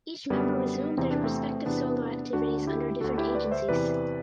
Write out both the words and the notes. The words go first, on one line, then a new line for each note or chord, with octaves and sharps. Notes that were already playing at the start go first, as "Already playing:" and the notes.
Each member resumed their respective solo activities under different agencies.
F#2 D3 G3 B3
E2 C3 E3 C4
D4
A3 C4
E2 C3 E3 B3 D4
D2 D3 D4 F#4
E4 G4
D2 D3 F#4 A4
E4 G4
B4 D5
C5 E5
E2 C3 E3 B4 D5